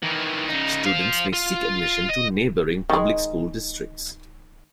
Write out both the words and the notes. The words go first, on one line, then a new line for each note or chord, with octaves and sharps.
Students may seek admission to neighboring public school districts.
D#3 E3
C#3 D#4
C5 F5
F4
D#5
D#3 G#3